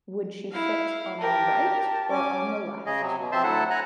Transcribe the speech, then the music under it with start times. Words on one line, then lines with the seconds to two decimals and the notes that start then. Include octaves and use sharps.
Would she sit on the right or on the left?
0.51 E4 F5
1.20 G4 A#4 A5
2.10 C#4 G#5 D6
2.86 C#3 G#4 D#5
3.02 C3 F#3
3.19 B2
3.32 F3 C4 C5 E5 A5 C6
3.43 D2 F#3 E4 A4 F#5 A5
3.70 F#5 G#5 A#5 F#6